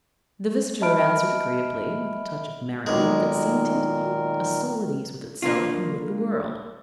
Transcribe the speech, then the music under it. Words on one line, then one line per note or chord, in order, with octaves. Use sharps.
The visitor answered agreeably, with a touch of merriment that seemed to indicate a soul at ease with itself and with the world.
D#5 E5 A5 B5 F6 D7
B1 A#2 D#3 G#3 A#4
A#3 D4 F4